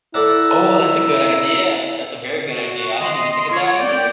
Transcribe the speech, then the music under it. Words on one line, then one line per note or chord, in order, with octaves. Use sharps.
Oh, that's a good idea. That's a very good idea. I didn't even think of that either,
E4 A4 D5 E5 F#5 A#5 E6
F#4
D#5 C6
F4 C#5
D5 G5